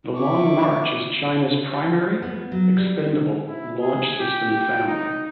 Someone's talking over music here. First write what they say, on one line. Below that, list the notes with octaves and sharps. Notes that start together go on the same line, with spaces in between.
The Long March is China's primary expendable launch system family.
E4 C#6 D6
B3
F#3
G3
E4
G#4
G4
G5
D#4